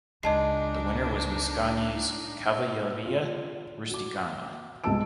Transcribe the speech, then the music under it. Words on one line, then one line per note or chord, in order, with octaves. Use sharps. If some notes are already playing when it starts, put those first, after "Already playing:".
The winner was Mascagni's "Cavalleria rusticana".
C#2 G#3 D4 D#4 D#5 A5 C7
F4
F#4 D6
C2 G#3 B3 A5 E6 D7